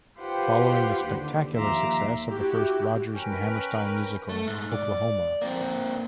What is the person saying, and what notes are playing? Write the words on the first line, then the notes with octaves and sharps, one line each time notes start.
Following the spectacular success of the first Rodgers and Hammerstein musical, Oklahoma!
F4 G4 B4 C5 F#5 G5
D#2 D3
D#2 F3 E5 A#5 C6 D6
E4 F#4 G4
C#4 A#4 B4 G5
A3
G#2
D5
A#3 C4